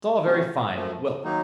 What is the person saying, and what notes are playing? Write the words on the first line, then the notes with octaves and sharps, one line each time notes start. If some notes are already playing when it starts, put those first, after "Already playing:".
'It's all very fine--Well!
C3 D#3 A3 C#4 F#4
F#2 F3 A3
D#3 F#3 A#3 D#4